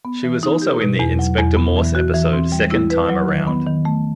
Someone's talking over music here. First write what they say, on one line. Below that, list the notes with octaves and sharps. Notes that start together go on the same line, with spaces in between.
She was also in the "Inspector Morse" episode "Second Time Around".
B3
E3
D#4
G4
B2
E2
F#3
E2
B3
E3
F#4
E3
C4
G3
E4
B4
F#3
D#3
B3
D#3
A3